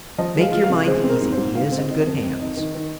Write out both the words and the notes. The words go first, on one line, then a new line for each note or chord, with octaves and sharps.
"Make your mind easy, he is in good hands."
F3 D#5
G#3
F5
F4
F5
C3
G#3 C5
C4
A#4
G#2
C5
G#2
D#3 F5
C4
D#5
D#4
D#5
F2
C4
D#4
D#3
D#3